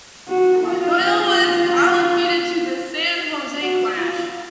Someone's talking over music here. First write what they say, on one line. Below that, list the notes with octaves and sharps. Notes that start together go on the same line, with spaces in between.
Doyle was allocated to the San Jose Clash.
F#4
F4
F#4
F4